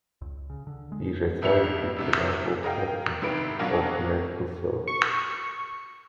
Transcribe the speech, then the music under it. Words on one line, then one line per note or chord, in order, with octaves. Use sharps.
He retired with the rank of captain of the medical service.
C#2
C#3
D3
G#3
G#1 F2 E5 C#7 F7
C2 C3 E4
G#4 A#4 D#5 F5 G5
G#1 C3 D#3 E3 B4 D7
B2 F#3 A#3 C#4 D4 F4
C#6